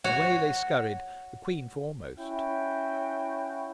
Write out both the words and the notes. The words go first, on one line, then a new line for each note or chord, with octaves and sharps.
Away they scurried, the queen foremost.
F#4 C#5
C#4 E4 F#4 G5